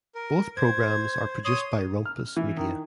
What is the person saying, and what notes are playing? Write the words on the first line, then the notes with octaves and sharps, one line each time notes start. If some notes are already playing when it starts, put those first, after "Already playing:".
Both programmes are produced by Rumpus Media.
A#4
C5 G#6
C#5 C6 D#6
F6
E3
D#3